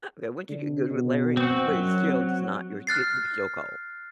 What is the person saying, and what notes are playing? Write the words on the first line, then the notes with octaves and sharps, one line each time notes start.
Okay, once you get good with layering but it still it's not you're get you're still cold.
D3
B2
C4 F#4
F#2 F#3
C4
F6 F#6 A6 C7